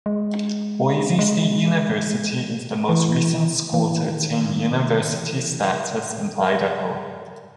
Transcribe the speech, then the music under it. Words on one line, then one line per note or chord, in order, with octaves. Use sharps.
Boise State University is the most recent school to attain university status in Idaho.
G#3
G#3
E3
E3
D#3
E3
F#3
A#2
G#2